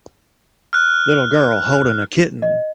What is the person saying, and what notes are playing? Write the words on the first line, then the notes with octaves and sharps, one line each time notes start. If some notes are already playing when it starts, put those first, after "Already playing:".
Little girl holding a kitten.
F6 F#6
D#5